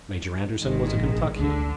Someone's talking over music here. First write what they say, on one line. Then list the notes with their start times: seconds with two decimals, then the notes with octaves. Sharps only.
Major Anderson was a Kentuckian.
0.62 G#1 D#3 G#3
0.96 A#1
1.39 D2 D3